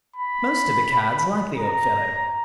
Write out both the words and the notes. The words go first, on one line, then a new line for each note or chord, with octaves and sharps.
Most of the Cads like the Old Fellow.
B5
A#5